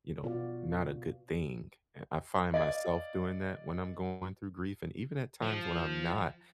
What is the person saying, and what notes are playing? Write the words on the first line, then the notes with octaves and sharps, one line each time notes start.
you know, not a good thing, eh, I find myself doing that when I'm going through grief and even at times when I'm not,
B2 B3 F4 F#4 D5 F5
D5 D#5 F5 G#6
F3